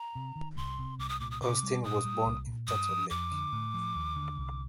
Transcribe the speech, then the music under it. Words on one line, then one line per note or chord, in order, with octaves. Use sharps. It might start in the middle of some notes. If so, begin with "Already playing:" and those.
Austen was born in Turtle Lake.
Already playing: A#5
C3
D#3
C2 C6
C3
C2 D6
D#6
A#2 D6
D#6
C3 D6
G3
A#2 D#6
G3
C2
A#2
G2 D#6
F3
F2 D6
D3
A2
F3
D#2
D3
C2